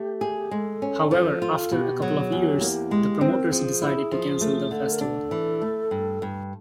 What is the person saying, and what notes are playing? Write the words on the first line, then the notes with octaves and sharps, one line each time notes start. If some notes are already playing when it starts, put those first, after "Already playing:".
However, after a couple of years, the promoters decided to cancel the festival.
Already playing: A3 G4
G#4
G#3 A4
C#4
F3
F4
B2 G4
F#3 G#4
E2 G4
A#3
G#3
C4
B4
A#4
A4
F3 G#4
E4
F3
A3
D3 A4
A#4
D4 A4
E3
A3
G2
G2